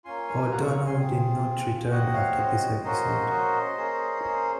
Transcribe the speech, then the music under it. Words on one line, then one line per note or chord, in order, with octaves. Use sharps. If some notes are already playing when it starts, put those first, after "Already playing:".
O'Donnell did not return after this episode.
A#3 C#4 F4 G#5 C6
F5 G#5
F#5 A#5
A#5 C#6
G#5 C6
C4 F4 G#4
C4 F#4 D#5 F#5
C#5 F5
C5 D#5
A#3 C#4 F#4 C5 D#5
C5 D#5
A#3 C#4 G#4
C5